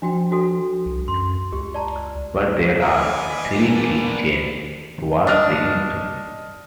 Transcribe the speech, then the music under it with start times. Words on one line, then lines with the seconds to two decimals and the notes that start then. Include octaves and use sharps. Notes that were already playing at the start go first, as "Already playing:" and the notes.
But there are three key changes towards the end.
0.02 F3 D4 F#4 G5
0.31 D4 F#4 A4
0.86 C2
1.08 F#2 C6
1.53 C#2 G4
1.74 D5 A5 A#5
2.81 B4 D5 E5 G#5 A#5
3.28 D#5 B6
3.56 A#2 E3 A#3 D4
5.27 D4 D#5 D#6 F6